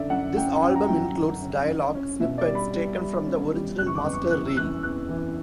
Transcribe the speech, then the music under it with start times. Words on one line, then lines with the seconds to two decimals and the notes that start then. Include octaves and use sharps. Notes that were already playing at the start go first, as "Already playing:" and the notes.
This album includes dialogue snippets taken from the original master reel.
Already playing: F#2 D3 D5 E5
0.10 F#2 F#5
0.36 F#2 G5
0.62 C#4 G5
0.75 A#5
0.87 F#3 G5
1.15 D3
1.42 C#4
1.68 C#4
1.95 C#4
2.20 B2 E5
2.38 D5
2.46 G3
2.55 B5
2.73 G3
3.00 G3
3.26 C#4
3.52 G3
3.78 F#1 F#6
3.86 C#6
3.95 D6
4.04 E2
4.13 C#6
4.30 E3 F#6
4.46 E6
4.57 E3 F#6
4.83 E2 F#6
5.09 E3